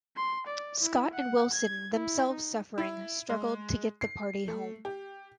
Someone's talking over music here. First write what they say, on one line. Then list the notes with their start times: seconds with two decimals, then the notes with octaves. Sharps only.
Scott and Wilson, themselves suffering, struggled to get the party home.
0.17 C6
0.47 D5
0.80 E4
1.14 F#5
1.54 G#6
1.94 E4
2.30 D#4
2.78 E4
3.29 G#3
4.01 C7
4.48 A3
4.85 G4